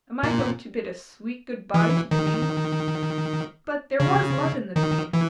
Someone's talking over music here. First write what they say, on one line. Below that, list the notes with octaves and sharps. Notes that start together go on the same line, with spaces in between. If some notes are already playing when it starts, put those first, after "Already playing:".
Am I going to 'Bid a sweet good-bye to Pain?' But there was Love in the Pain.
A#2
E3
D#3
C#3
D#3
E3